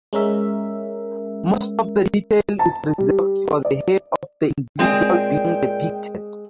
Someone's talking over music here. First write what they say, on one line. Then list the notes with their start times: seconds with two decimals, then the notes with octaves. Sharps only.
Most of the detail is reserved for the head of the individual being depicted.
0.13 G#3 C#4 A#4 E5
2.59 A5
2.98 G3
3.65 D5
4.79 A#2 G#3 C4 G#4 G5